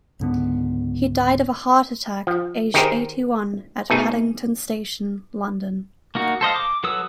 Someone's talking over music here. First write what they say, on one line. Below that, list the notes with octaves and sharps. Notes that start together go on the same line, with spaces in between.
He died of a heart attack, aged eighty-one, at Paddington Station, London.
C#2 G#2 D3 B3
F3
D#3 D#4 G4 G#4 A#4 C5
B2 A3 D#4 G#4
A#3 D#4 F#4
A4 C5 D#5 F5
D6
F#3 A4 B4 D#6 E6